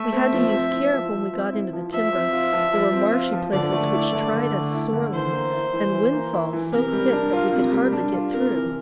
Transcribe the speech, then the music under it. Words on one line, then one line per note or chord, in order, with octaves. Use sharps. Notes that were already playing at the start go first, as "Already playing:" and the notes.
We had to use care when we got into the timber; there were marshy places which tried us sorely, and windfall so thick that we could hardly get through.
Already playing: A3 E5
C4
F3
C4
E4
F3
F3
C4
E4
F3
F3 E5
C4
F4
F3
F3
C4
F4
F3
D3 D5
A3
E4
D3
D3
A3
E4
D3
E3 C5
A#3
E4
E3
E3
A#3
E4
E3
C3 A#4
G3
D4
F4
C3
G3
D4
F4
C3 A#4
E3